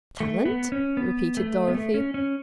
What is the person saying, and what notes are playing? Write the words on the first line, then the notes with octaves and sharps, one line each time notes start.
"Talent?" repeated Dorothy.
A3
B3
C#4
B3
A3
B3
A3
C#4
C#4